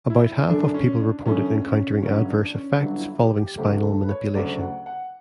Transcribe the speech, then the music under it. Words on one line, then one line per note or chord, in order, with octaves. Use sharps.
About half of people reported encountering adverse effects following spinal manipulation.
E4
F#2 D3 A3 D4
C#4
D4
F#2 D3 A3 C#4
C#4
G1 G2 D3 F#3 C#4
D4
C#4
G1 G2 D3 F#3 D4
E4
G4
G4
D2 C#3 F#3 A3 G4
A4
B4
C#5
D2 C#3 F#3 A3 D5
F#5
F#5